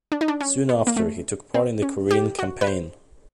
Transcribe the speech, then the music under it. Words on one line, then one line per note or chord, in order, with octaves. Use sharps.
Soon after, he took part in the Korean Campaign.
D4
D#4
D4
C#4
B3
A#3
A3
C4
C#4
G4
F#4
B4
C5